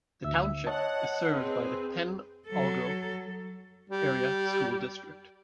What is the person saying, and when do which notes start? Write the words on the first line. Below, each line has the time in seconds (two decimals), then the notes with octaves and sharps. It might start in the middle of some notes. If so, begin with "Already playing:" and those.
The township is served by the Pen Argyl Area School District.
0.24 D2 E5 E6
0.67 C#5 D#5 F#5 A5
1.34 C4 G#4 B4
2.48 F#3 A4
3.90 G3